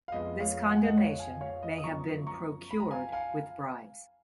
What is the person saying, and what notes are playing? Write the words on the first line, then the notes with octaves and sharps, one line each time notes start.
This condemnation may have been procured with bribes.
F5
F2 F3 G#3 B3 D#5
C#5 F5
F#5
G#5
D#5 F#5
C#5 F5
F5 G#5
C#5 F5
D#5
D#6
F#2 F3 B3 A#5 C#6
A#5 C#6
B5
A#5
F5 G#5
F5 G#5